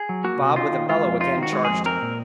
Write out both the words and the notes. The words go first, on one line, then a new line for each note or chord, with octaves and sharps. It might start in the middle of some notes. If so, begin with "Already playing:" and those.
Bob with a bellow again charged him.
Already playing: G#4
F#3
A#3 F#4
C3
D#4 F4
D#3
G#3 F4
F2
D#4 F4
D#3
F#4
G#3
F2 G#4
C4 A#4
A#2